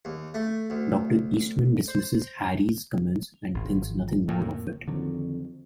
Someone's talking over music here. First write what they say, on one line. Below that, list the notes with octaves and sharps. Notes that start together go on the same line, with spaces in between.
Doctor Eastmann dismisses Harry's comments and thinks nothing more of it.
D#2
A3
D2
C5
G#1
F3
F2 A2 A#3
F2 D3 D#3 F#3